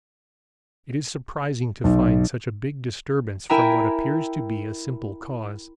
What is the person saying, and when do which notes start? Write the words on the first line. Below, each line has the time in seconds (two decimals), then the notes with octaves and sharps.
It is surprising to find such a big disturbance from what appears to be a simple cause.
1.84 B1
3.50 E4 A#4 E5 G5 G#5 A#5